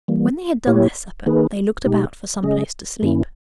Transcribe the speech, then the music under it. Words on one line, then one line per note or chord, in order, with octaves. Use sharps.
When they had done their supper they looked about for some place to sleep.
E3 G3 A#3
A#2 A#3 E4 G4 C#5
D#3 A#3 D#4 G#4 B4
B2 G#3 D#4 G4
C#3 G#3 C#4 G#4 D#5
G2 D#3 A#3 C#4 E4